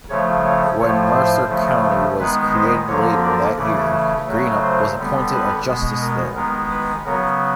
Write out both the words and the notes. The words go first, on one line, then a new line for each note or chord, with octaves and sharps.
When Mercer County was created later that year, Greenup was appointed a justice there.
C#3 F3 A3 C#5
C#5
A2 F3 A3 C#5
C5
C#3 F3 A3
D#3 G#3 B3 B4
C5
D3 F3 A#3 C#5
D5
C#3 E3 A3 D5
C#3 F#3 A3
C5
D3 G3 B3
B4
B2 G#3 B3
A#4
D#3 G#3 B3 A#4
B4
C#3 F#3 B3 A#4